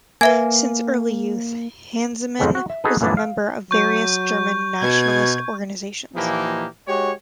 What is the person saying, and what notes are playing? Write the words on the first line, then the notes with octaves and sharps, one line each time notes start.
Since early youth Hansemann was a member of various German nationalist organizations.
A#3 B4 E5 G#5 G#6
F2 G#2 C#3 G#3 C4
F#4
E5
D#4 F#4 G#4 A4 B4
F#2 A#2 E3 F3 B3 D4
F5
F#3 C#6 G6
B2 G#6
A#2 E3 F3 A#3 D#4 G4
G#3 F#4 G4 C#5